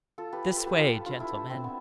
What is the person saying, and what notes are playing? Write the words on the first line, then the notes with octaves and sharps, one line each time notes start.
'This way, gentlemen!
F4 A4
G4 B4
G4 B4
A4 C5
G4 B4
F4 A4
D4 F4
E4
D4
C4
B3